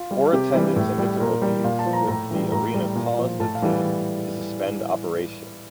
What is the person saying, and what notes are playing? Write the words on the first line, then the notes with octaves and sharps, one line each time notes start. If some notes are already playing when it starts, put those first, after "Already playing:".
Poor attendance and difficulties with the arena caused the team to suspend operations.
Already playing: F4
G3
C3 G4
E3 G3
A2
G3
A#2 A#4
G3
A#2 F5
A5
F3
A#5
A2 A#5
E3 G3
A2 A#5
G3
A#2
F3
A2 A5
F5
E3 G3